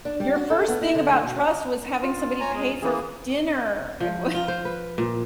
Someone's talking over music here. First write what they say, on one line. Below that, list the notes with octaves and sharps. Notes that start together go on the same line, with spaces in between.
your first thing about trust was having somebody pay for f dinner. It was,
D4
G3
F#4
A4
B3
D#4
D3
D2
B2
C#4
F4
C#5 G#5 A#5
G#3 G#4
E3 A#3 B3 G#4
F3
F4
C5
B4
A#2